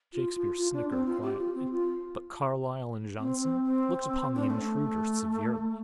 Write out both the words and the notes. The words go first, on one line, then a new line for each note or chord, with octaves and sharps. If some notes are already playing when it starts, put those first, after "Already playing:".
Shakespeare snickered quietly, but Carlyle and Johnson looked upon the intruder severely.
F4
F4
F4
D4
C4
F4
G4
F4
C4
F4
C4
C4
C4
D4
C4
A3